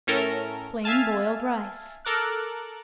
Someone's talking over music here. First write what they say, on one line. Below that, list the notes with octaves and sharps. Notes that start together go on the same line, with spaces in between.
Plain Boiled Rice.
A2 C#4 A4 A#4
E5 F5 G#5 A5 F6
A4 A#4 D6 F#6